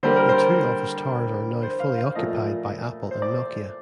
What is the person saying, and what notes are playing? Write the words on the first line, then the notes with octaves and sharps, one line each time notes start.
The two office towers are now fully occupied by Apple and Nokia.
D3 G3 A#3 C5
A#4
C5
C5
F5
F5
A#2 F3 A3 D#5
C5
D5